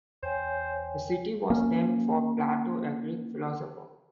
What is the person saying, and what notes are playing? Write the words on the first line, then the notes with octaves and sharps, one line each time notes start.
The city was named for Plato, a Greek philosopher.
E2 C5 C#5 G5 G#5
A#3 C#4